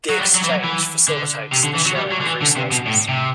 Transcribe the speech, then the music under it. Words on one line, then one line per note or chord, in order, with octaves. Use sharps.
The Exchange facilitates the sharing of resources.
F#3
G3
F#3
E3
F#3
E3
D3
C3
D3
E3
F#3
G3
F#3
D3
E3
D3
C3
B2
A2
C3